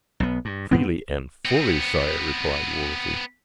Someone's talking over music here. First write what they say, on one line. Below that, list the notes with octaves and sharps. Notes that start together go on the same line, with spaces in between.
"Freely and fully, sire," replied Wolsey.
B1 B3
G2
G2 B3 C4
B3 C4